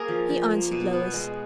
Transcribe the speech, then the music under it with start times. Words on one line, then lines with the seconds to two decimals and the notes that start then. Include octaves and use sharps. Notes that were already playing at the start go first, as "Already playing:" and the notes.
He answered Lois.
Already playing: A#3 G#4 A#4
0.08 F3
0.29 F3
0.51 A#3
0.71 B2
0.93 B3
1.13 G#3